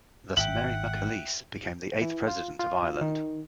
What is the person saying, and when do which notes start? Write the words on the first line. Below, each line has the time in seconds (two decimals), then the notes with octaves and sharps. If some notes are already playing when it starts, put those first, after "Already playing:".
Thus, Mary McAleese became the eighth president of Ireland.
0.37 G#1 E5 F#5 G5 F#7
2.01 E3
2.27 F4
2.59 F4
3.01 D#3